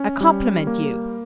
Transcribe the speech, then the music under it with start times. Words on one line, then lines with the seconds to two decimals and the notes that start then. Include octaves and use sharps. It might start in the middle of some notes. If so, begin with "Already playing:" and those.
I compliment you!
Already playing: C#4
0.21 G3
0.67 A#3